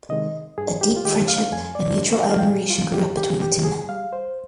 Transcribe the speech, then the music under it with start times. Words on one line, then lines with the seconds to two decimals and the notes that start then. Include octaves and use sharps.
A deep friendship and mutual admiration grew up between the two men.
0.09 C3 D#3 G#3 D#5
0.58 G2 G#4
0.81 G4
0.96 F4
1.05 D#3 G#3 G4
1.28 F5
1.52 F2 G#5
1.75 D5
2.00 D3 G#3
2.23 G5
2.31 F5
2.39 G5
2.47 A#2 G#4
2.70 F4
2.94 G3 G4
3.17 G4
3.30 G#4
3.41 A#2 G4
3.65 G#4
3.89 G3 F5
4.13 C5